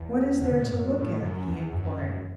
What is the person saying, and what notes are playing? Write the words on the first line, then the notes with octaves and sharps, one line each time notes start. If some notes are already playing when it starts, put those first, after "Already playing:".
"What is there to look at?" he inquired.
Already playing: E2
D3
B2
A2
F#2
A2
F#2
E2
F#2
F#2